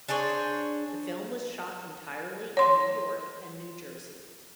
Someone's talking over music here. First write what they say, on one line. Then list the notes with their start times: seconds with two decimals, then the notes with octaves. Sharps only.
The film was shot entirely in New York and New Jersey.
0.09 D4 G#4 C5 C#5
2.57 C#5 C6